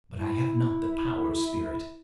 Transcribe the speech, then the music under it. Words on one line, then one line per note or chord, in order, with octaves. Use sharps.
But I have not the power, Spirit.
E4